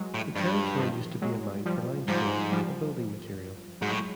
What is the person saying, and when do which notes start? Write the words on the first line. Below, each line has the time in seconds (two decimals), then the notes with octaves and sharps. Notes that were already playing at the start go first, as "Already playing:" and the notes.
The territory used to be a mine for limestone, a building material.
Already playing: E3 F#3 G#3
0.14 A2
0.36 G2 F3 G3
0.79 D#3 F3
1.22 F#3 G#3
1.65 F3 G3
2.08 G#2 F3 G3
2.52 F3 G3
3.81 G#2 F#3 G#3
3.90 A2